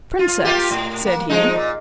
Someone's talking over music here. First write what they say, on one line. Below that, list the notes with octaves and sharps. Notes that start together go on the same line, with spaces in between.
"Princess!" said he.
F4
A#3 F4 G4
A2
A#3
F3 G#3 D#4
A#2